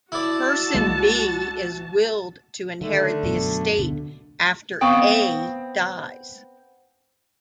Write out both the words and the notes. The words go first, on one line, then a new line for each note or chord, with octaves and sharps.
Person B is willed to inherit the estate after A dies.
E4 F#4 D5 A5
C2 G#3 A#3
D3 D#3 A3
F#2 B2 F#3
D2 B2 D3
B3 C4 F5 G5 C#6 D#6